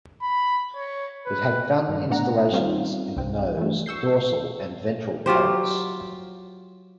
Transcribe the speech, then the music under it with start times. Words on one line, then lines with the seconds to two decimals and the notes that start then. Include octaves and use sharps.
It had gun installations in the nose, dorsal and ventral turrets.
0.22 B5
0.75 C#5
1.26 B4
1.89 G2
2.10 A2 B3 D4 F#5 A#5
2.52 G3 C4 C#4 D#4 F4
3.17 C2 C4
3.57 E3 A3
3.86 C#6 E6 G6 C7
5.26 F#3 F4 G4 C5